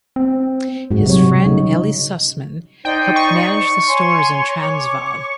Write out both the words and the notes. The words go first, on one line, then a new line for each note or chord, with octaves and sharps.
His friend Eli Susman helped manage the stores in Transvaal.
C4
G#2 G#3 F#4
C3 F#3 G3 C#5
C#3 D#4
D#4 C5 D5 G5
C#6
C#5 G#5 C6
C#5 D6